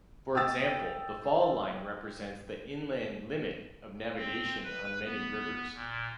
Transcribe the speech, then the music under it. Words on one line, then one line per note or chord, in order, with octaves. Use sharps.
For example, the fall line represents the inland limit of navigation on many rivers.
G5 D#6 E6 A6
C4
B4
B3
A#2